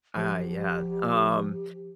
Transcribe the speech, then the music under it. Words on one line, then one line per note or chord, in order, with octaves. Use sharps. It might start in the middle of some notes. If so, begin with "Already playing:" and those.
I yeah, um,
F3 G4